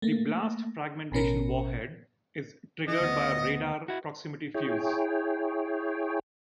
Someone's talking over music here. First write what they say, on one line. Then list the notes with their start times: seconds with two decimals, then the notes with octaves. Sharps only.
The blast-fragmentation warhead is triggered by a radar proximity fuze.
0.02 A3 A#3
1.12 A1 B2 C#4 A#4
2.88 E3 D#5
3.00 D2 B3
3.88 E4 F#4
4.54 E4 G#4 C#5 G5